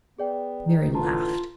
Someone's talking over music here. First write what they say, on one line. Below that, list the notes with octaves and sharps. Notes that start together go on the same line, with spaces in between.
Mary laughed.
B3 G#4 D5 G5
D#4
A2 D3 E3 F4 A5 A#5